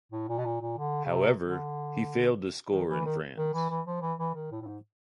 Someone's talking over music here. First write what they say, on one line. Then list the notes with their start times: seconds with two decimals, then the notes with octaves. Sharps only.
However, he failed to score in France.
0.12 A2
0.29 A#2
0.38 B2
0.45 A#2
0.61 A#2
0.78 D3
1.05 C#3
1.09 C3
1.42 D3
2.72 D#3
2.89 E3
3.05 D#3
3.37 D#3
3.53 E3
3.69 E3
3.86 F3
4.02 E3
4.19 E3
4.35 D#3
4.51 A2
4.62 A2
4.67 G#2